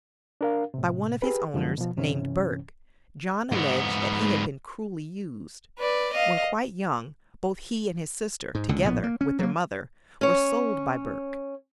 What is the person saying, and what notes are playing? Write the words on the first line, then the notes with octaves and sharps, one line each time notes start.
By one of his owners, named Burke, John alleged that he had been "cruelly used." When quite young, both he and his sister, together with their mother, were sold by Burke.
D4 A#4 F5
A2 C3
G4 G#4 B4
F#2 D3 F3 G#3
B2 F3
G2 C3 E3 C#4
G#2 B3
B4 D5
D#5 F5
G#2
C#2 D3
A#1 A2 E3 B3
A#3
C#4
F#3 A#3
C#4 C#5